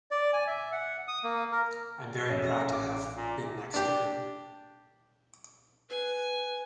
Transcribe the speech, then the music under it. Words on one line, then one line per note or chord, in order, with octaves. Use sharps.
I'm very proud to have been next to him.
D5
G#5
E5
F#5
D#6
A#3
A#4
A1 F2 C#4 G#4 A4 C#5 E5
A#6
A1 D6
A#2
D4 G4
B4 G#5